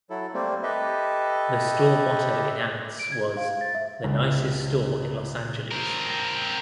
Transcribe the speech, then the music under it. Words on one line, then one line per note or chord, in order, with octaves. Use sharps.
The store motto in ads was "the nicest store in Los Angeles".
F#3 E4 A4
G3 A3 A#3 C4
G4 A4 B4 D#5 E5
D7
G#6
F5
A6
E5
C#2
C4 A#4